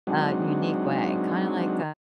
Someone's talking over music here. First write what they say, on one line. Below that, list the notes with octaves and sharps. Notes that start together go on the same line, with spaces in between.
uh, unique way, kinda like,
F#3 G#3 C4 D4 D#4 F#4